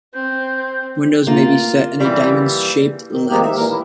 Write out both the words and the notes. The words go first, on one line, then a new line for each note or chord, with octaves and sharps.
Windows may be set in a diamond-shaped lattice.
C4 G6
A#3 F4
E3 G3
D#3
D#3 F3 G#3 A#3 D#4 G4
E5
A#2 E3 A#3 A#4
E4